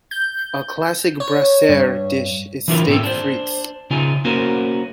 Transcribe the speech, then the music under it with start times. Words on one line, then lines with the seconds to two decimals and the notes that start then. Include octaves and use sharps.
A classic brasserie dish is steak frites.
0.11 G6
1.20 C#5
1.69 G2
2.68 E3 D4 F4 G#4 A#4 B4
2.87 G#2 C4 G4 A4
3.03 D4 C5
3.90 C#3 D#4 F4 G#5
4.25 A#3 C#4 F#4 A#4 C5